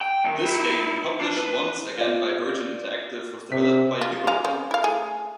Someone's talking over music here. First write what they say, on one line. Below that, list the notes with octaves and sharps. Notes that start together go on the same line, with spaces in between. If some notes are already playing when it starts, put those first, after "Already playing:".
This game, published once again by Virgin Interactive, was developed by Eurocom.
G5
C2 D#3
D#4 E4
D4
B4
F4 D5
C3 B6
F4
G#3 F5
C#3 C4
E4 F5
A3 G#4